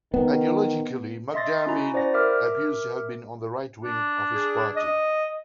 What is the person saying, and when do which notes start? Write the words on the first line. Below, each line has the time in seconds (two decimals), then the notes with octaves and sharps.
Ideologically, McDiarmid appears to have been on the right-wing of his party.
0.14 D#3 B3
1.34 D#5 E5 C6 A6 A#6
1.66 C#4 E4 F#4 A#5
1.93 E4 C5 D5 F#5 A#6
2.14 A#4 E5 D6 F6
3.85 D4
4.33 G#4
4.76 D#5